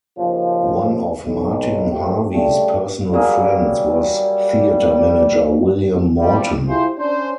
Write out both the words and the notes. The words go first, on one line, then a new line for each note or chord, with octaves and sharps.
One of Martin Harvey's personal friends was theatre manager, William Morton.
D#2 C#3 F3
B1
D#2 G#2 F3 A3 G4
C#3 G3 A3 G4
F#3 G3 A#3 G#4
C2 F2 G3
E4 F4 G4 G#4 C5
C#4 D4 C5